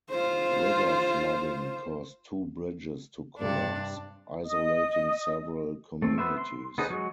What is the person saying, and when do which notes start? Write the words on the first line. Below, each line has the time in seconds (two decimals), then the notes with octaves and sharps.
River flooding caused two bridges to collapse, isolating several communities.
0.10 F4 C5
3.39 G2 C3 D4
4.46 D#5 D#6
6.02 A3 C4
6.18 B3 B4 C5 E5
6.38 C6
6.78 B3 D#4 G#4 B4 C5
6.90 F#3 G#3 F#4